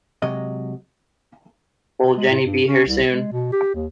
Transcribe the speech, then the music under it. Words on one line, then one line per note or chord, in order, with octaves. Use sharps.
Will Jenny be here soon?
C3 F#3 G#3 D#5
G#3
A2
G2
C#4
C2
G#3
B2
G4
D#2